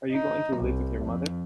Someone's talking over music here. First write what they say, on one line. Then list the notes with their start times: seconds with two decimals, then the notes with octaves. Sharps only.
Are you going to live with your mother?
0.12 D#4
0.57 C2
1.05 F2